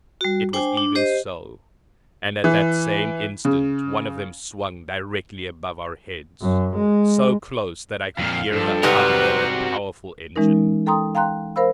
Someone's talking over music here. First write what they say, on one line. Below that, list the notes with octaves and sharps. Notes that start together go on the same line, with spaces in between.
It was even so; and at that same instant one of them swung directly above our heads, so close that I could hear the hum of a powerful engine.
G3 F#4
D4 C5 G5 G#5
D4
G4 C5 D#5
E3
C#3
F#2
G#3
F2 A#2 F5
G2 F3 A4
G#2 C3 G3 C4 F#4 A#4 B4
E3 G#3 C#4 D#4 A#4
A4 G5 A#5 C6 D#6
F5 G5 A#5 C6 F#6
A#4 C5 F5 B5 E6